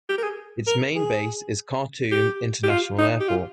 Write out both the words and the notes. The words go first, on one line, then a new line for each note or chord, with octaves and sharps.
Its main base is Khartoum International Airport.
G4
A#4
G#4
A#4
G#4
G4
G4
F4
D#4
G4
F4